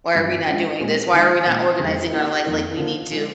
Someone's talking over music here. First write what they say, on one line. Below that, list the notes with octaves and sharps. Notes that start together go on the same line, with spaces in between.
Why are we not doing this? Why are we not organizing our life like we need to?"
G2 D#3 G3 C4
F3 G#3 D4
A#2 G#3 C4 G4
D#3 G#3 D#4
A#2 G#3 C4
F2 D3 G#3 D#4 G4
F3 A#3 D#4 G4
F2 D#3 A#3 D#4
D3 F3 A#3 D4
F3 G#3